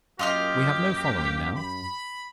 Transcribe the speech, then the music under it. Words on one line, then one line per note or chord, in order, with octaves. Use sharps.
We have no following--now.
F#2 A#3 F4 G4 D#5 F5
B5